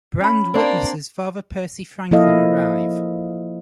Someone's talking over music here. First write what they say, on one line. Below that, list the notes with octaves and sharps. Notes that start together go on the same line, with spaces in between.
Brand witnesses Father Percy Franklin arrive.
C#4 B5
A#3 C4 D4 D5
F3 A#3 E4 A4 D#5 F5